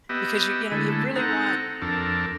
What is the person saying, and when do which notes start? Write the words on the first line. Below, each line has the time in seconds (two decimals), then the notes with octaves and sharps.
because you you know, you really want
0.09 B3 G4 D#5 E5
0.71 D3 G#3 A3 E4
1.16 C4 D#4 A4 F#5 A#5
1.82 F2 D4 A4 A#4